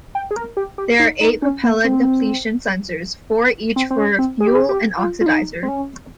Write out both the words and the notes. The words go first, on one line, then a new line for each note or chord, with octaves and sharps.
There are eight propellant-depletion sensors, four each for fuel and oxidizer.
G5
G#4
A#4
G4
G4
D#4
D#4
C#4
A#3
C4
C4
C4
C#4
C4
G#4
G4
G#4
G4
F4
F4
D#4
C4
C#4